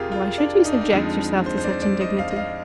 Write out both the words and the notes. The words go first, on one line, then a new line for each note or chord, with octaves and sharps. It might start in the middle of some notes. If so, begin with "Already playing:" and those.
"Why should you subject yourself to such indignity?"
Already playing: F2 C3 F4 G4 G#4 A#4
F4
D4
D#4
D4
D#4
F2 D3 F3 G#3
C5
C5
D5
D5
D#5
F5
D#5
F5